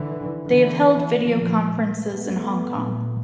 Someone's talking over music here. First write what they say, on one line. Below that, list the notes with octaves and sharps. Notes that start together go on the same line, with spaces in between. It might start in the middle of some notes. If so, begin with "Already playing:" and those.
They have held video conferences in Hong Kong.
Already playing: D3 E3
D3 E3
A#2 D#3 F3
A3 B3
A#2